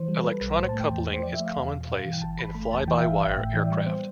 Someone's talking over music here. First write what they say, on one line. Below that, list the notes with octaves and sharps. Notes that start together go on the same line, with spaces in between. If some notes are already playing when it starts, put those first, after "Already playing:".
Electronic coupling is commonplace in fly-by-wire aircraft.
Already playing: E3 C5
G3
A4
G3 B4
B1 B4
A2 C5
A3 A5
G5
E2
E2
C5
F3 D5
E5
A3
F5
E2
B2
G2
E3
G5
G1 A5
G1 B5
A3 B5
E2 A5
E3 G5
E5
G1 F5
A1 E5
G5
A2
E3 G5
D5
E5
G3
D5
B3 C5